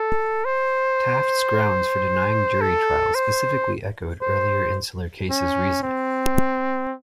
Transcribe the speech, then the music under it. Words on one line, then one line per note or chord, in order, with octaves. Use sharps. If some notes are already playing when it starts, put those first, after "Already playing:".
Taft's grounds for denying jury trial specifically echoed earlier Insular Cases reasoning.
Already playing: A4
C5
A4
C5
C5
C#4
C4